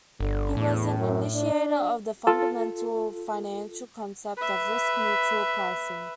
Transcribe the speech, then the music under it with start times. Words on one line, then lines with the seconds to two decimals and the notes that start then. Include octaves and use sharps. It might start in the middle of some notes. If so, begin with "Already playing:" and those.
He was an initiator of the fundamental financial concept of risk-neutral pricing.
0.20 G1 D3
0.57 E2 A2
0.98 F#2
1.35 D4
2.27 F4 A4
4.37 B4 E5